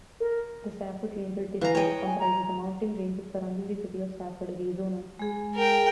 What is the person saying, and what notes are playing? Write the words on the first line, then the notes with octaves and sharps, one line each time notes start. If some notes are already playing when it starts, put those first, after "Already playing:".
The Safford Ranger District comprises the mountain ranges surrounding the city of Safford, Arizona.
A#4
E3 F5 A#5
C#5 D#5 G5
G#5
A#5
G#3 G#4
A#4 G5